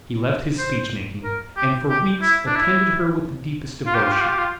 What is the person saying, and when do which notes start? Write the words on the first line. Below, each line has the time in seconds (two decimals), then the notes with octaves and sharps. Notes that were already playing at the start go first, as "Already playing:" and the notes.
He left his speech-making, and for weeks attended her with the deepest devotion.
0.58 C5
1.24 A#4
1.57 G4
1.89 G4
2.22 E4
2.47 D4
2.56 E4
3.86 F4
3.95 G4
4.03 F4
4.12 G4
4.21 F4
4.29 G4
4.39 F4